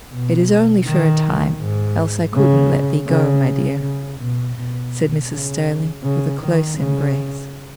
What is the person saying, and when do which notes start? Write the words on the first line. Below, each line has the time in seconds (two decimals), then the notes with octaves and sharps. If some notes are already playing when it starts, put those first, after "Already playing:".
"It is only for a time, else I couldn't let thee go, my dear," said Mrs. Sterling, with a close embrace.
0.11 B2
0.85 D#3
1.59 G#2
2.33 C#3
3.07 C#3
3.81 C#3
4.19 B2
4.56 B2
5.30 C#3
6.03 C#3
6.41 D#3
6.78 C#3